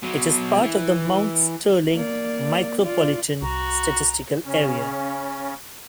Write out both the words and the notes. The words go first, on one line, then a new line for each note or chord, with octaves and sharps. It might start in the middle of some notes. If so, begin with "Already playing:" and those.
It is part of the Mount Sterling Micropolitan Statistical Area.
B2 F#3
E3
A#3 D5
F4 D5
C2 F#4 A#5
C#3 C#4